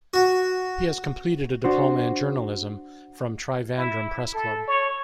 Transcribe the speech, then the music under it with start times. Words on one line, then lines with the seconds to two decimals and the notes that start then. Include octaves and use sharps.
He has completed a diploma in journalism from Trivandrum Press Club.
0.14 F#4
1.64 D4 F#4 C5
3.78 E4
4.34 A4
4.68 C#5